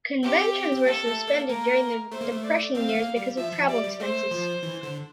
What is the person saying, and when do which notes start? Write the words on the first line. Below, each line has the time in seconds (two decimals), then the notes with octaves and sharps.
Conventions were suspended during the Depression years because of travel expenses.
0.23 C4 G4
0.72 C4
0.86 A#3 A4
1.07 A3
1.27 A#3
1.48 A#3 A#4
2.11 A3 C5
2.21 A#3
2.31 A3
2.43 D5
2.74 C4 F5
2.89 A3
2.95 A#3
3.16 G3
3.37 F3 E5
3.53 F3
3.69 G3 D5
3.84 G3
4.00 A3 C5
4.31 F3
4.63 E3
4.83 D3